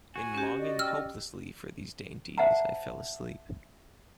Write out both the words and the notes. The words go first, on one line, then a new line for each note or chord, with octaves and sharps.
In longing hopelessly for these dainties I fell asleep.
F#4 G#5
C#4 G4
D5 D#5
G5 E6 F6
C5 E5 F#5 A5 A#5